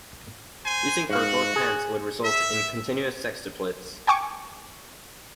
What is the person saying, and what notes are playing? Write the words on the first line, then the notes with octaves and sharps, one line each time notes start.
Using for both hands would result in continuous sextuplets.
C5 G#5
G#2 F#4 F5
G#4
E5
G5 G#5 C#6 D6